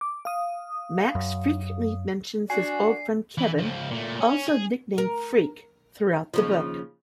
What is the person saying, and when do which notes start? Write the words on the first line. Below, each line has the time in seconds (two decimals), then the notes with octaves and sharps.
Max frequently mentions his old friend Kevin, also nicknamed Freak, throughout the book.
0.01 D6
0.25 F5 D#6
1.15 F#2
2.50 D4 F#4 G#5 C7
3.38 E3
3.58 C#2 F3
3.91 A#2 A3
4.20 C#4
4.47 G#4
4.98 A#4
6.34 D#2 C#3 F3